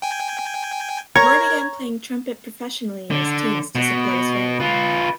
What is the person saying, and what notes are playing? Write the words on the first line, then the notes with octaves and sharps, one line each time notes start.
Roy began playing trumpet professionally in his teens to support his family.
G5 G#5
A#4 C#5 A#5 G#6
D3
B2
F4 B4